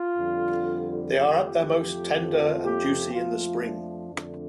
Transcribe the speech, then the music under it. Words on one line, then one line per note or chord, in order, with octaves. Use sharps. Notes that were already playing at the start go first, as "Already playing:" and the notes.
They are at their most tender and juicy in the spring.
Already playing: F4
F2 D3 G3
F2 F3 A3 G4
F2 F3 A3
G4
F2 F3 A3 F4
D4
F2 D3 A3